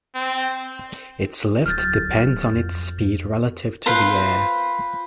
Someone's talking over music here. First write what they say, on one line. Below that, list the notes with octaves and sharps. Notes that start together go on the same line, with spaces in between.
Its lift depends on its speed relative to the air.
C4
D1 F#3 F6 G6 A6
F2
F4 B4 C5